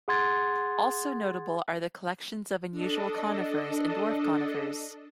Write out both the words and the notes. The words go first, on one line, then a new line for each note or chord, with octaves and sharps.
Also notable are the collections of unusual conifers and dwarf conifers.
G#4 F#5 C6 G#6 A6
D4 A4 D#5